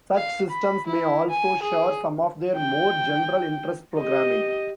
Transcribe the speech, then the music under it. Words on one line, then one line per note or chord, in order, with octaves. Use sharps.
Such systems may also share some of their more general interest programming.
F5
B5
E4
G#5
G#4
G5
G4 D#5